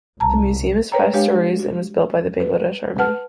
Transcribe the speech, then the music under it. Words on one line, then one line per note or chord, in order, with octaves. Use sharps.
The museum is five storeys and was built by the Bangladesh Army.
C2 A5 A#5
A#4 B4 C#5 G5 A#5
G#3 D4 G4 C#5 F5 G5
F#4
B4
B4 F#5 A5 F6